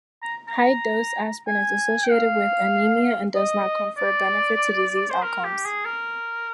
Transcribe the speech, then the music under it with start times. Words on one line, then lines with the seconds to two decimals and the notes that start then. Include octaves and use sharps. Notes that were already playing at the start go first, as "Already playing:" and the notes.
High-dose aspirin is associated with anemia and does not confer benefit to disease outcomes.
0.22 A#5
0.48 A#5
1.47 G#5
2.03 G5
2.10 F5
3.36 D#5
3.98 D5
5.10 C5
5.22 A#4
5.44 G4
5.65 G#4
5.85 A#4